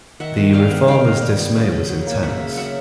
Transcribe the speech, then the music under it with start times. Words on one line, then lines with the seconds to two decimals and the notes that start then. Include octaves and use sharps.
The Reformers' dismay was intense.
0.20 D#3 E5 F#5
0.37 D#3
0.53 G3 F5 G5
0.71 B3
0.88 D#3 F5 G5
1.04 D#3
1.21 G3
1.38 B3
1.55 C#3
1.72 C#3
1.89 F#3
2.07 A#3
2.23 C#3 E5 F#5
2.39 C#3
2.57 F#3 E5 F#5